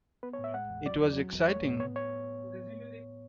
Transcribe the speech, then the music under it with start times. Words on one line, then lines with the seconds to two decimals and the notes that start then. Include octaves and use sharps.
It was exciting.
0.23 B3 B4
0.33 C#5
0.39 A2
0.44 E5
0.54 G#3 F#5
0.70 E2
0.86 F#3 D5
1.01 E2
1.17 F#3
1.33 E2
1.48 A3 C#5
1.64 A2
1.80 B3 C#5
1.96 C#5